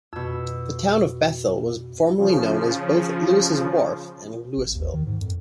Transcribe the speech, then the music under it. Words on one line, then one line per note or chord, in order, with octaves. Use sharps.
The town of Bethel was formerly known as both Lewis' Wharf and Lewisville.
F2 B2 E6
C#3 F3
G#1
D#2
D#3
G#2
F2